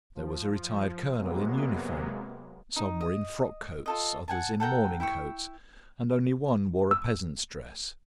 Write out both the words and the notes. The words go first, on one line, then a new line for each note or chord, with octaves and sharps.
There was a retired colonel in uniform; some were in frock coats, others in morning coats, and only one wore a peasant's dress.
F3
C3 F#3 G#3 A#3 B3
D#4
D#5
F4 A4 D#5
F#5 G#5 A5
A4 F#5 G5 A#5
E4 G5 B5 C#6
E6